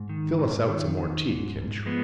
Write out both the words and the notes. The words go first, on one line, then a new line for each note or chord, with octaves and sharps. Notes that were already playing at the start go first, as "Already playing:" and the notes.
Fill us out some more tea, Kinch.
Already playing: G#2
D#3
G#2
D#3
D#3
G#2
G#2
F3 G#3 B3